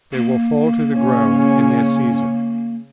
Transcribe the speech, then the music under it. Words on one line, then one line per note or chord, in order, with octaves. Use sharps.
They will fall to the ground in their season.
A#3
C#3 C#4